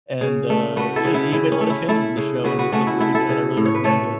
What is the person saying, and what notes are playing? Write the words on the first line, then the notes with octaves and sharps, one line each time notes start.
And, uh, yeah, he made a lot of changes in the show, and it's like really good. I really recommend it.
C#3
A3
A3 F#4 B4
E4 A4
C#3
E4
C#3 E4
C#4
A3
E4
A3 E4 A4
C#3
C#3 F#4 B4
F#4 B4
A3 C#4 F#4
E4
A3 E4
E4 A4
C#3
A2
C#5
B4
A3 A4 C#5